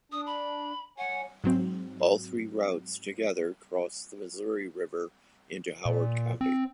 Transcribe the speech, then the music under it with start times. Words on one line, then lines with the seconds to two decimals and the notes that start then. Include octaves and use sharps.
All three routes together cross the Missouri River into Howard County.
0.12 D4 D#6
0.27 B5
0.98 C#5 F#5 G#5
1.44 G#2 F#3 C4
5.86 A#2
6.41 C4